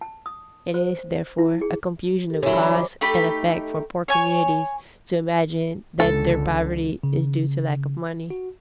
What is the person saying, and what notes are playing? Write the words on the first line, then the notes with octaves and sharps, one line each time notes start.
It is, therefore, a confusion of cause and effect for poor communities to imagine that their poverty is due to lack of money.
A5
D#6
C5
E4
G#4
G4 A4 A#4
D3 F#3 C#4 E4
D5 A#5
C5 D#5 D6
A3 D#4 G4 B5
C#5 G#5
C#2 D3 A4
C#3
F#4